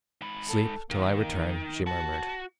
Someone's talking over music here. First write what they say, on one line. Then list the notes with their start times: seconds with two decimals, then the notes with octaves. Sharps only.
"Sleep till I return," she murmured.
0.21 G#2 B5
0.49 A4
0.90 D#3 A#3
1.87 F#4 A5